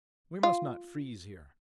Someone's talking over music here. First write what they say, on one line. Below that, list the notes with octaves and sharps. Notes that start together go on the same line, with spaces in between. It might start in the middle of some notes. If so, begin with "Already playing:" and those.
"We must not freeze here."
F4